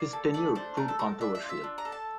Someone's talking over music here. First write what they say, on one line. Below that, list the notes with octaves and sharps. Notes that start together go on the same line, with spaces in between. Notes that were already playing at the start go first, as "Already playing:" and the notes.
His tenure proved controversial.
Already playing: A#3 D5
A4
A3 D5
D4 C5
A3 A#4
A4
A4 A#4
D4 E5
E5
F4
E5
D4
A#5
A4
A5